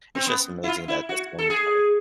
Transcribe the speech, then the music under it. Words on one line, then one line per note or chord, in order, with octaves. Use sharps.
it's just amazing that that's the only time
C4
B3
E4
F4
E4
F#4
A4
G#4